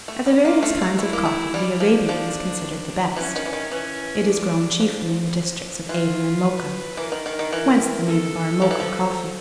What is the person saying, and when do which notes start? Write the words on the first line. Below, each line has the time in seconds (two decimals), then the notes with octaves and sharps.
Of the various kinds of coffee the Arabian is considered the best. It is grown chiefly in the districts of Aden and Mocha; whence the name of our Mocha coffee.
0.08 A3
0.26 G3
0.45 A#3 F4
0.63 A3
0.82 A3
0.99 A3 E4
1.13 A#3
1.25 A3
1.54 G3 D4
1.80 F3
2.09 F3
3.17 E3 C#4
3.36 D#3
3.45 E3
3.53 D#3
3.72 E3 C#4
4.26 D4
4.80 F3
5.89 E3 F4
6.43 B4
6.97 E3 A#4
7.12 D#3
7.26 D#3
7.39 D#3
7.52 E3
8.07 A4
8.62 F3
8.71 E3
8.80 F3